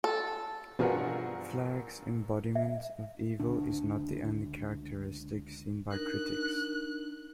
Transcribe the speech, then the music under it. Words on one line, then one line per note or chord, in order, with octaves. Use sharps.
Flagg's embodiment of evil is not the only characteristic seen by critics.
A4
G2 B2 F3 D4 G#4 A#4 F#5
E5
C#2 D3 D4
D4 D#4 A#4 F#6